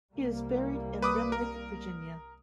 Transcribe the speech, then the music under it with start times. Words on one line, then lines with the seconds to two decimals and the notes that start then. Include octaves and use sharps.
He is buried in Remlik, Virginia.
0.14 C2 G3 A#3
1.02 B4 D6 D#6
1.32 A#4